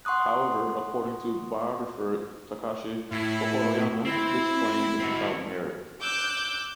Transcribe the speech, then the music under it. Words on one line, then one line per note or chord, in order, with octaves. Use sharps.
However, according to biographer Takashi Tokoroyama, this claim is without merit.
F#5 C6 C#6 D#6 F#6
A2 E4
C4 E4
C4 F#4
D6 E6 F#6 G6